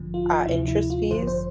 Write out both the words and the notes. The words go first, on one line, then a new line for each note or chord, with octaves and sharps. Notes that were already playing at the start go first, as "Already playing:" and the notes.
uh, interest fees,
Already playing: A1 G2 D3 F3
F4
D2 C3 F3 E4
E4
F4
A1 G2 D3 F3 C5
C5